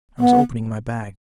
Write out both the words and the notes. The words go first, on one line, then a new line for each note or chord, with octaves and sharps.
I was opening my bag.
B3